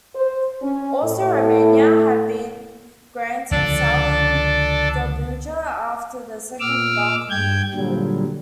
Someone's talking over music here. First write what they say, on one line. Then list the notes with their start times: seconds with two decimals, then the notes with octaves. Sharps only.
Also Romania had been granted Southern Dobruja after the Second Balkan War.
0.15 C5
0.62 C#4
1.04 A2
3.51 C#2 D3 F3 D4 A4 D5
6.60 A#2 D6 E6 F6
7.30 G2 G5 G6 G#6
7.74 A#2 D3 F#3 G3